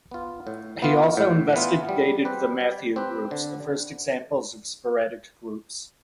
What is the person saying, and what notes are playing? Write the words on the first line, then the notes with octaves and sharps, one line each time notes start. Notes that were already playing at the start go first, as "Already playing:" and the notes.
He also investigated the Mathieu groups, the first examples of sporadic groups.
B3 F4
A2
E3 B3 F4
A2
E3 B3 F4
G3
C4 G4 B4
G3
C4 G4 B4
D3